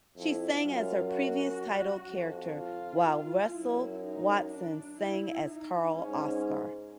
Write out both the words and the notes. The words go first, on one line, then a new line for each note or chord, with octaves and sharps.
She sang as her previous title character while Russell Watson sang as Karl Oskar.
F2 E4
F#2 F4
F#4
F2
F4
F4
F#2 E4
D#4
D4
E4
D#4
G#2 C#4